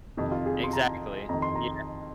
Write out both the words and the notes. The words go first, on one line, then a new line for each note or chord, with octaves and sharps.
meh exactly, yeah.
F2 C3 D#3
F4
G#4
C6
A#5
F2 D#3 A#5
C6
A#5